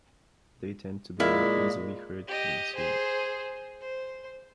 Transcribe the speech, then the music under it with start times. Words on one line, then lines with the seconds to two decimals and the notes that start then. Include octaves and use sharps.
They tend to be more easily heard than seen.
1.20 A#2 G#3 E4 F5
2.28 G4 D#5
2.75 G#4 C5
3.81 C5